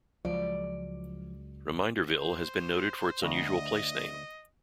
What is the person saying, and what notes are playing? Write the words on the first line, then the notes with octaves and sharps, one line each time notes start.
Reminderville has been noted for its unusual place name.
C#2 F3 F#3 G#3 D5
C5
D2 D#5